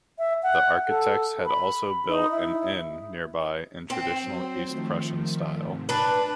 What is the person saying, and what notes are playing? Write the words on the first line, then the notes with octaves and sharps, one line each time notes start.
The architects had also built an inn nearby in traditional East Prussian style.
E5
F#5
A4
B5
D#4
E4
C4
F#3 C5
D#3 F3 A3
G#2 C3
D4 B4 A5